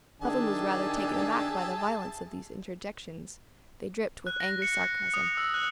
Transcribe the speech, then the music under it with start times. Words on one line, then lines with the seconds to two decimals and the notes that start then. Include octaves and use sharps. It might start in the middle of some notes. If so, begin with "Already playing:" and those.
Puffin was rather taken aback by the violence of these interjections; they dripped with angry sarcasm.
0.22 D#3 D4 G4 G#4 E5 A5
4.27 F#6
4.40 A#6
4.62 C#7
5.14 D#6
5.37 E6
5.54 F#6